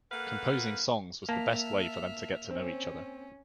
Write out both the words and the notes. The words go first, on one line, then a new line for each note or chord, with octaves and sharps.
Composing songs was the best way for them to get to know each other.
A#3 A4 B4 F5 F#5
A#3 E5 A5 F6 B6
C4 C#4